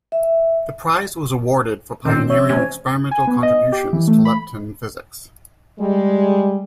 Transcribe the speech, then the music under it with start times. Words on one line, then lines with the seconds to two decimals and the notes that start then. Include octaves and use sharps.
The prize was awarded "for pioneering experimental contributions to lepton physics".
0.12 E5
2.05 A2 D#3 C4 C#4
2.30 F3 C#5 E5
2.49 C3 E3 A3 C#4 G#5
3.11 G#5
3.27 B3
3.43 D#5
3.72 G4
3.93 E3
4.08 A3
4.25 B5
5.80 G3 G#3